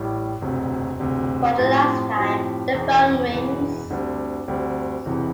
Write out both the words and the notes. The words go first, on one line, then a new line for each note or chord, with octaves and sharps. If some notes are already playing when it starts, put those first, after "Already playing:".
For the last time, the phone rings.
Already playing: A1 A2 G3
E1 D2 C3
E1 D2 C3
A2 F3 C4 G4
A2 F3 C4 G4
E1 E2 E3
E1 E2 E3
D2 D3 G3 C4
D2 D3 G3 C4
E1 E2 C3 E3